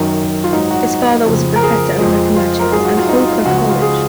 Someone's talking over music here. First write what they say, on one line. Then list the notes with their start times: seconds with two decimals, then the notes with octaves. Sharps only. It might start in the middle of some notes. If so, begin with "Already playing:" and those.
His father was a professor of mathematics at Holkar college.
Already playing: F#2 D#3 F#3
0.44 F4
0.52 G#2 F#3 D#4
0.71 F#4
1.25 F2 C#3 F3
1.56 A#4
1.63 G#4
1.99 F2 F3 G#3
2.36 F4
2.60 A#4
2.72 G#2 F#3 G#4
2.85 F#4
2.97 F4
3.09 D#4
3.27 F4
3.45 C#2 C#3 F3 G#3 F#4
3.58 F#4
3.70 F4
3.82 G#4